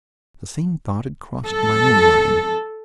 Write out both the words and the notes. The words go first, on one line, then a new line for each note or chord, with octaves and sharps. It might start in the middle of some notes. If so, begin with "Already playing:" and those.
The same thought had crossed my own mind.
A4